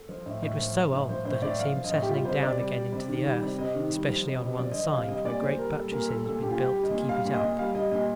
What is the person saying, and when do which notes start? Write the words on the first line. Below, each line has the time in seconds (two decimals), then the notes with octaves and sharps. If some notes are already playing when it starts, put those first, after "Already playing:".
It was so old, that it seemed settling down again into the earth, especially on one side, where great buttresses had been built to keep it up.
Already playing: A4
0.09 F3
0.26 A2
0.42 A2
0.58 F3
0.76 F3
0.92 A2
1.09 F3 C5
1.25 A2 C5
1.42 A2 D5
1.59 F3 F5
1.76 F3
1.84 D#5
1.92 A2
2.02 G4
2.08 G3 F4
2.25 C3 C5
2.42 C3 D5
2.58 G3
2.75 G3
2.92 C3
3.08 D#3
3.26 G3
3.42 C3
3.59 C3 D#5
3.75 D#3
3.92 G3
4.09 F3
4.25 C3
4.42 C3
4.58 F3 D5
4.71 D#5
4.76 F3
4.84 D#5
4.93 C3 F5
5.09 G3 D#5
5.25 A#2 D5
5.42 A#2 C5
5.58 G3 A#4
5.75 G3 A4
5.92 A#2 A#4
6.08 G3 A4
6.25 A#2 A4
6.42 A#2 G4
6.50 F4
6.58 G3 G4
6.75 G3
6.83 D#5
6.91 A#2
7.09 G3 F5
7.25 A#2
7.34 D#5
7.41 A#2
7.59 G3 F5
7.75 G3 D#5
7.91 A#2 D#5